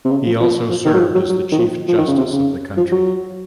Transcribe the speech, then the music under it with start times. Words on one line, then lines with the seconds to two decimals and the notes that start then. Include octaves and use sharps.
He also served as the Chief Justice of the country.
0.05 C3
0.11 C#3
0.26 F3
0.40 F3
0.70 F3
0.85 D#3
0.94 F#3
0.99 F3
1.14 F#3
1.29 F#3
1.52 D#3
1.59 F3
1.88 F3
1.98 D#3
2.08 C#3
2.18 C3
2.33 C#3
2.77 F3
2.92 F#3